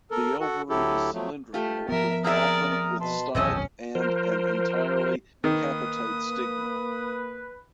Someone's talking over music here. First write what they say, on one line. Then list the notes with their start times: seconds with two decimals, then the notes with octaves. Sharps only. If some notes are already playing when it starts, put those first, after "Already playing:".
The ovary is cylindrical with often with stipe and an entirely capitate stigma.
0.11 A4 A#4
0.40 F#4 A4 F#5
0.70 D2 F#3 E4 G4 A4
1.13 F3 F#3 A3
1.54 A3 F4 G4
1.89 F3 B3 A#4 E5
2.24 C4 G#4 A#4 D5 E5 A#5 D#6 F6
3.01 B2 B4 A5 C6
3.35 D#1 B1 F2 E3 C#4 A4 D#5 G5
3.95 F3 A#4 C5
5.44 D#3 A#3 B4 D#6